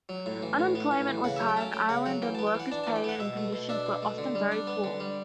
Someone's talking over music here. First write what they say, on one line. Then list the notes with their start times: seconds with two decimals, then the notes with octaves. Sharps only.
Unemployment was high in Ireland and worker's pay and conditions were often very poor.
0.09 F#3
0.26 A2
0.42 E3
0.59 A2
0.75 B3
0.91 A2
1.08 E3
1.24 C#3 F#5
1.36 E5
1.40 F#3
1.48 G5
1.57 C#4 A5
1.73 A3 G5
1.89 C#3 F#5
2.06 F#3 F#5
2.22 E3 G5
2.35 A5
2.39 B3
2.47 G5
2.54 E3
2.59 F#5
2.72 D4 A5
2.84 E3 A5
2.96 G5
3.04 B3 F#5
3.20 B2 E5
3.37 A3
3.53 B2
3.69 D4 E5
3.86 B2
4.02 A3
4.18 D3
4.35 G3
4.52 D4
4.67 B3
4.84 D3
5.00 G3